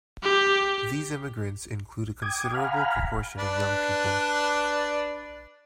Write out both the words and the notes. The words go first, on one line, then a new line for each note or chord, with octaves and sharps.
These immigrants include a considerable proportion of young people.
G4
G5 D6 D#6 G#6
F5 F#5 G#5 A#5 B5 F6
D4 B4 D5